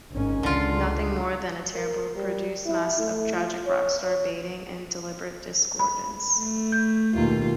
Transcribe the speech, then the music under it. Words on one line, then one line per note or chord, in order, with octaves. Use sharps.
Nothing more than a terribly produced mess of tragic rock-star baiting and deliberate discordance.
G#1 D#3 C#4
C#2 D3 F4
A#4
G3
E4
A3
F4
C#5
C#5
B5
A3
G6
D#2 B2 A#3 F4